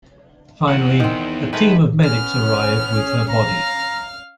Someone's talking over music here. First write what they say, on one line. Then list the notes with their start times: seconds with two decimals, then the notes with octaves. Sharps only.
Finally a team of medics arrive with her body.
0.68 E2 F#5
1.00 D#3 C4
1.53 D#3 G#3 A3 B4
2.03 B3 C#4 F6
2.95 G#4
3.28 F5 A#5 F6